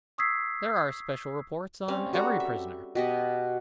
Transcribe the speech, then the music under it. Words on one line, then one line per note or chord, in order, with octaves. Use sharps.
"There are special reports on every prisoner."
C#6 D#6 E6 G#6 B6 C7
G3 C4 C#4 F5
G3 F#4 A4 A#5
E5
B2 G4 D#5